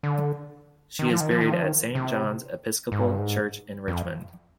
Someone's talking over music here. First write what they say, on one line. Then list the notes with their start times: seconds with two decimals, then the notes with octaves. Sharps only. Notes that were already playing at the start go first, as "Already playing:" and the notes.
She is buried at Saint John's Episcopal Church in Richmond.
0.03 D3
0.99 D#3
1.10 F3
1.20 D#3
1.31 F3
1.41 D#3
1.52 F3
1.62 D#3
1.95 C3
2.92 G#2
3.06 G2
3.18 G#2
3.88 F2